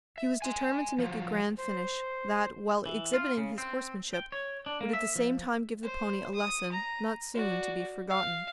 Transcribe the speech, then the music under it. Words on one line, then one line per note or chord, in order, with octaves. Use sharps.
He was determined to make a grand finish that, while exhibiting his horsemanship, would at the same time give the pony a lesson not soon to be forgotten.
E5
G#5 C6
F3 F#3
C5
E3
F4
C#3
C4
G5
C#5
D4
A#3
E5
F3
C5
D#6
A#5
F#4 D5
F5